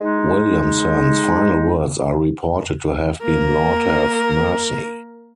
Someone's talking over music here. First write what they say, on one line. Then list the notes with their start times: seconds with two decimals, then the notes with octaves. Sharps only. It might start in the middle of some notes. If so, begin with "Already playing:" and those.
Williamson's final words are reported to have been "Lord have mercy".
0.01 G#3 D#4
3.22 A#3 A#4